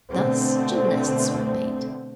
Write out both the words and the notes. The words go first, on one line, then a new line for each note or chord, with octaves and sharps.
Thus gymnasts were made.
B2 D3 A3 C4